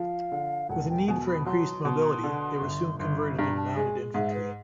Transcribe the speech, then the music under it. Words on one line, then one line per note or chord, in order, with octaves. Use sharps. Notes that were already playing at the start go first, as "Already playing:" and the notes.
With a need for increased mobility, they were soon converted into mounted infantry.
Already playing: F3 F5
D3
E1 F#5
G5
B2 G#5
B5
F#3 C6
B2 C6
D3
G1
G1 C6
B5
G2 A#5
A5
G#3 G#5
G#2 E5
B4